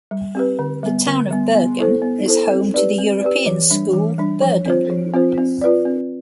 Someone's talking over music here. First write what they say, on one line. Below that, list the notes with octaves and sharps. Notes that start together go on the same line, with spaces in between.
The town of Bergen is home to the European School, Bergen.
G3
C4 G4 B4
D3
G3 B3
D3
G3 B3
B3
E4 A4 C5
B3
E4 A4 C5
C4
G4 B4 D5
C4
G4 B4 D5
E3
G3 D4
E3
G3 D4
F3
C4 F4 C5
F3
C4 F4 C5
C4
F4 B4 D5
C4